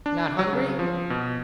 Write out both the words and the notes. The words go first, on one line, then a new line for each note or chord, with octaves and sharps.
"Not hungry?"
D4
F#3
C#3
F3
B2